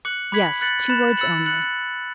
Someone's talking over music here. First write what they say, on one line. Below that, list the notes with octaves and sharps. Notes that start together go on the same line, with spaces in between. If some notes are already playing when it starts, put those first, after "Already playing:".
"Yes; two words only."
D6 F#6 C#7 F#7
B5 D6 G#6 B6 F#7
F#6 A6 C#7 F#7
B5 F#6 A6 E7
E6 A6 C#7 F#7
F#6 C#7 F#7